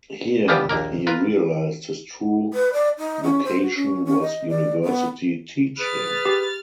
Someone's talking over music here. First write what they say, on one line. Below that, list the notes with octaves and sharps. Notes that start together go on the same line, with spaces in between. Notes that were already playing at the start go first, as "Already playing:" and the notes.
Here he realized his true vocation was university teaching.
E3 F3 G3 B3 F4 G4
A#1 D#2 A#3 A#4
F4 A#4 B4
B4
D5
D#4
C#4
C5
F#4
C#4
C#4
D#5
D5
B3
G#4 B4 F6 A6
G4